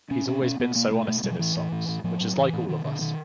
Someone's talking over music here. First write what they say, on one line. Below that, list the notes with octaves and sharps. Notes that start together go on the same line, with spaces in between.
He's always been so honest in his songs, which is like all of us.
B2 C#4
B2 C#4
B2 C#4
B2 B3
B2 A#3
B2 A3
B2 A3
B2 G3
F3
A2 E3
A2
A2
A2
A2 F3
A2 F#3
A2 E3
A2
B2 D#3
B2 D3
B2 D#3